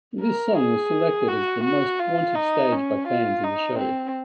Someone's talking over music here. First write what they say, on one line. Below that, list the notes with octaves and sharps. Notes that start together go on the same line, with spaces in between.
This song was selected as the most wanted stage by fans in the show.
A#4
G#4
F#4
F#4
F4
D#4
C#4
F4
D#4
C4